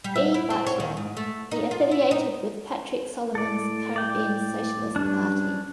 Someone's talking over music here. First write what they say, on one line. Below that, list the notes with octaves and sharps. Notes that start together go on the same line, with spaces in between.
B. Butler, he affiliated with Patrick Solomon's Caribbean Socialist Party.
G3
E5
E4
C4
C#5
D#3
G#2
A3
D#4
F4
E4
D#4
A2 A4 D5
D5 G5
G2 C#4 D4